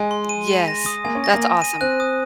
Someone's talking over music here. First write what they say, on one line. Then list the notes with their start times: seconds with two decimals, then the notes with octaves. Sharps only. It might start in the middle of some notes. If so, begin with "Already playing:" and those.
Yes, that's awesome.
Already playing: G#3 G#5
0.11 C6
0.29 D#7
0.48 D#7
0.68 A#6
0.86 D#6
1.04 A#3 G#5
1.15 C#4
1.24 A#6
1.33 A#3
1.42 G#5
1.62 D#7
1.81 C4 F#6
2.00 D#6